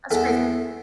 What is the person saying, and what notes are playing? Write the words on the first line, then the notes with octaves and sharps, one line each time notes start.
that's crazy.
E2 A4